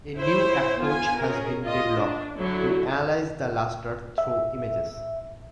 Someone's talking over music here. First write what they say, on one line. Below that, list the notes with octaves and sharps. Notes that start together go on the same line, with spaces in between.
A new approach has been developed to analyze the luster through images.
E4 C5 C#5
B3 F4 G#5
C#4 G#4 A#4
F4 D#5
D4
D3 F#3 E4
E5